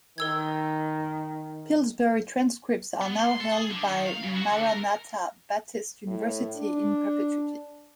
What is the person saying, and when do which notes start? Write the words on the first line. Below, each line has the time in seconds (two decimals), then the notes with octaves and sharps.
Pillsbury's transcripts are now held by Maranatha Baptist University in perpetuity.
0.18 D#3 A#4 E6 G#6
3.01 B3
3.20 C6
3.41 A4
3.52 G#4
3.71 D3
3.88 D#3
4.07 F5
4.23 C#3
4.36 F#4
4.51 D3
4.66 A#4
6.07 A2
6.56 D4